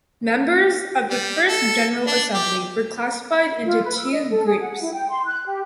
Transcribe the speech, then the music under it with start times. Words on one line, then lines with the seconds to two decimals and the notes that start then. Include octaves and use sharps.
Members of the first General Assembly were classified into two groups.
1.10 G3
1.48 A4
2.07 D4
2.35 G4
3.65 F4
3.85 B4
3.98 E6
4.11 D#5
4.30 A4
4.45 G#4
4.60 F#5
4.81 E4
4.94 G5
5.10 C6
5.26 F#6
5.46 G4